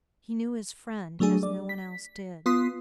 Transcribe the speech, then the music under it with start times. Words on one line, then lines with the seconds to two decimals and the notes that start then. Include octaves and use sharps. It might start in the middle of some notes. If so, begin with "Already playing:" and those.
He knew his friend as no one else did.
1.20 F#3 A3 D4 G#4
1.43 D5
1.69 B6
2.46 B3 F4 C6 D#6 B6 C7